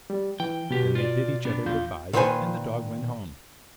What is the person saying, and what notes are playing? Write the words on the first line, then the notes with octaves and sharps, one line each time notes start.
Then they bid each other good-by and the Dog went home.
G3
E3 G5
B1 B2 G4
F4 D5
B3 D4
E2 F4 G6
A#2 D#3 B4 C5 G#5